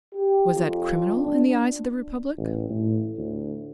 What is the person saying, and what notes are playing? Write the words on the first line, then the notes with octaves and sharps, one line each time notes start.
Was that criminal in the eyes of the Republic?
G4
F2
D4
A1
A2
D2